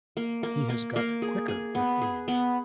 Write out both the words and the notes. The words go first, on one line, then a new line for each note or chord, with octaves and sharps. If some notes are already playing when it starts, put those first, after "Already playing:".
He has got quicker with age.
A#3
A#3
A#3
A#3
G#4
G#4
B3
G#4
B3